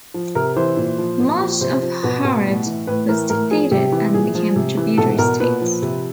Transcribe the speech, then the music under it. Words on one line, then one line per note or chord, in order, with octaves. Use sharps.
Much of Harad was defeated and became tributary states.
F3
C3 A#4
E3 C5
A#2
F3
A#2
F3
C3 C5
F3
B2 B4
B2
A2
E3
A2 B4
E3 A#4
A2 A#4
F3 G#4
C3 G4
E3
A#2 G#4
F3
C3
E3
B2 A4
B2 A#4
A#2 B4
F3
C3